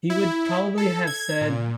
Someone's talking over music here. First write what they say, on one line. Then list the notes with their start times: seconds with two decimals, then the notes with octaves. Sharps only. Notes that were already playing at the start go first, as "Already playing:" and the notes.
He would probably have said
0.10 E4
0.78 A4
1.07 G#6
1.41 A#2